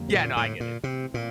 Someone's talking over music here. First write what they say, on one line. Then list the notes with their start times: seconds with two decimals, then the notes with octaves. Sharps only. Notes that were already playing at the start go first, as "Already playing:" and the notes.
Yeah, no, I get it.
Already playing: F2 D3 G3 A#3
0.09 C3
0.14 A#2
0.37 A2
0.60 A#2
0.83 A2 C3 E3 A3 C4
1.14 A#2